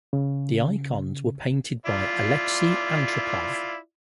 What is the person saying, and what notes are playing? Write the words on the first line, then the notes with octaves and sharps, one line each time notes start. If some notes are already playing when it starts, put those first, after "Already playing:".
The icons were painted by Aleksey Antropov.
C#3
E4 F4 D5